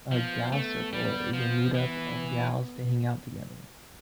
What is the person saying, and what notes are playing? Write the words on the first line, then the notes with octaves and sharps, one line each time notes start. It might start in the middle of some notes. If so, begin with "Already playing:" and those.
A "gal circle" is a meet up of gals to hang out together.
F3 B3
A3
G3
F3
E3